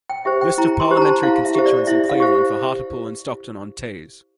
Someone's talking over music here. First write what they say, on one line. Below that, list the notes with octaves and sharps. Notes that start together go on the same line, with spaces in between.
List of Parliamentary constituencies in Cleveland for Hartlepool and Stockton-on-Tees.
G5
G4 C5 E5
G5
E4 A#5
C6
G4 C5
A#5
A5
E4 F5
E5
G4 C5
D5
E4 E5
F5
G4 C5